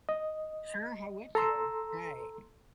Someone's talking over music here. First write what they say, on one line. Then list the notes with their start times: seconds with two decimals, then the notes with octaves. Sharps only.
Sure, how would you? Right.
0.09 D#5
1.35 A4 A#5 C6 E6